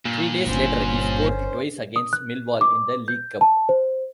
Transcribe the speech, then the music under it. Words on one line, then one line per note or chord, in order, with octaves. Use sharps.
Three days later he scored twice against Millwall in the League Cup.
G2 A#2
G1 C#4 C5
D#6
F#6
D6
G6
A5
C5